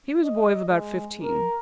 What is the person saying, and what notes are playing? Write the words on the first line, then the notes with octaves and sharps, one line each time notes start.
He was a boy of about fifteen.
D#5
G#3
A#4